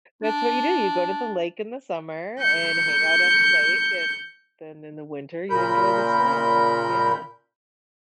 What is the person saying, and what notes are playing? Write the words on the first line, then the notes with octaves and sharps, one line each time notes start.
That's what you do, you go to the lake in the summer and hang out on the lake, and then in the winter you enjoy the snow, yeah.
D4
G6 C#7
A#2 C#3 A#4 B5 G6